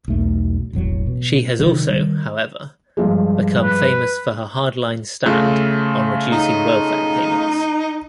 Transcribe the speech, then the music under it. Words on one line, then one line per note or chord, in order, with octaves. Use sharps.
She has also, however, become famous for her hardline stand on reducing welfare payments.
B1 E2 A3
E1 A1 F#3
B2
C3 D#3 F#3
D#3 G3
G2 F3 G#3
B4
C#3 A3 F4
D#4